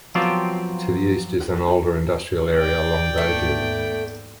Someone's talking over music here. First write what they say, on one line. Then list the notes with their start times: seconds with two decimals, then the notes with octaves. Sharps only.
To the east is an older industrial area along Bayview.
0.15 F3 F#3 B3 C4 F4 G4
2.57 D5 G5
3.18 D#2 G#2 A3 B3